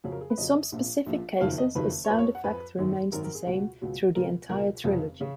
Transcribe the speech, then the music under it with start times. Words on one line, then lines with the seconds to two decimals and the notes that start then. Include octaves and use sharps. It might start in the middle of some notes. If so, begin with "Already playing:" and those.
In some specific cases, a sound effect remains the same through the entire trilogy.
0.04 F2 C#3 F#3 G#4
0.12 A#4
0.21 G#4
0.30 B4
0.38 F2 C#3 F#3 D#5
0.72 A#1 A#2 F3
1.06 A#1 A#2 F3
1.41 F#1 F2 D#3 F#3 F5
1.58 D#5
1.75 F#1 F2 D#3 F#3 B4
2.05 C#5
2.10 F2 F3 B4
2.19 C#5
2.35 F#5
2.44 F2 F3 B4
2.78 G#1 F#2 D#3
3.12 G#1 F#2 D#3 A#4
3.24 A#4
3.35 G#4
3.47 C#2 B2 F#3 F#4
3.81 C#2 B2 F#3
4.15 C#2 B2 F#3 A#4
4.49 C#2 B2 F#3 A#4
4.84 F1 F2 C#3 F#3
5.21 C#3